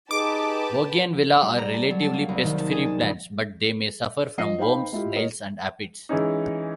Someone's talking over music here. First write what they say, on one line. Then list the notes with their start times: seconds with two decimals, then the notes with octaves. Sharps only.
Bougainvillea are relatively pest-free plants, but they may suffer from worms, snails and aphids.
0.11 D#4 G4 G#4 B4 A5 D6
1.42 G3
1.58 A#5
1.73 A5
1.91 F#3
2.02 A5
2.14 A#3
2.29 C2
2.44 D#3
2.60 A5
2.71 G#4
2.86 A5
3.01 D#1
4.38 F3 D#5 C7
4.59 D#4 C5 F5 G5 B5
4.92 G#3 E4 F4 G4
5.15 A#4 C#5 D#5
6.09 E3 G#3 C#4 D#4